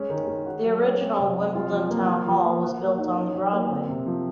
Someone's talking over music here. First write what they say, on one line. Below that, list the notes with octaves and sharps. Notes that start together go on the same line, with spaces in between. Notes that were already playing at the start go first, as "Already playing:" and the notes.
The original Wimbledon Town Hall was built on The Broadway.
Already playing: G#3 C#4
D#3
G#3
F#4
F#3
C#4
C4
C3
F#3
F4
F3
A#3
F4
F3
A#3
F#4
A#3
D#4
C#4
F#3
A#3
C4
C3
F3